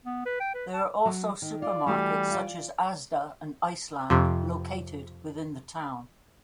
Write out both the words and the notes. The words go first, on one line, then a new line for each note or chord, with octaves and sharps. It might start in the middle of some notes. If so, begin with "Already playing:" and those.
There are also supermarkets such as Asda and Iceland located within the town.
B3
B4
G5
B4
A5
F#3
D#3
F4 D5
E3 G3 A3 F#4
F4 D5
F2 C3